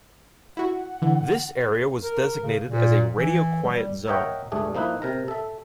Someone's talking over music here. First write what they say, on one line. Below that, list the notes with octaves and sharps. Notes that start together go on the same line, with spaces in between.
This area was designated as a radio quiet zone.
E4 F#4 F#5
D3 E3
A#4
C#3
A#2
E3
G3
A#4 C#5 D#5 E5 F#5 G5
C#2 G2 A3 D4 G#4
F3 A#3 D#4 E4 B4
C3 A#4 A#5
A4 E5